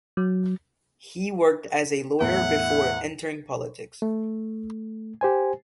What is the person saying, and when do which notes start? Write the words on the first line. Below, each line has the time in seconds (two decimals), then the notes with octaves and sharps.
He worked as a lawyer before entering politics.
0.17 F#3
2.21 E2 A2 E4 F#5
4.02 A3
5.21 G4 C5 G#5